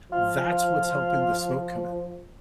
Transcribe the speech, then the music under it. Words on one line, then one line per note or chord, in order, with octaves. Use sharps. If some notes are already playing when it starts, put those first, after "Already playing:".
that's what's helping the smoke come in.
F3 F4